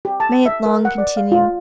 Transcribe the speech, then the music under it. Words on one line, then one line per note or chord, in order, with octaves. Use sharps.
May it long continue!
G4
A5
E5
A#4
F#5
D5
F5
F4